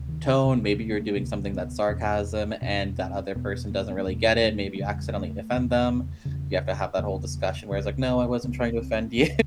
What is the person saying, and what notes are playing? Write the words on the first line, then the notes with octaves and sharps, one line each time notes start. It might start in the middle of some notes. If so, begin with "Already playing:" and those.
tone. Maybe you're doing something that's sarcasm, and that other person doesn't really get it, maybe you accidentally offend them, you have to have that whole discussion where it's like, "No, I wasn't trying to offend you.”
Already playing: D2 C3
D#3
D2 C3
A3
A#3
A3
C3 A#3
D2
B3
E2 B2 C#4
E2 B2 C#4
C4
E2 B2 B3
A#3
B3
A#3
E2 B2 A3
A3
A3
E2 C#3 G#3
A3
E2 C#3
E2 C#3
E2 C#3 A#3
C#2 C#3
C#2 C#3 B3
C4
C#2 C#3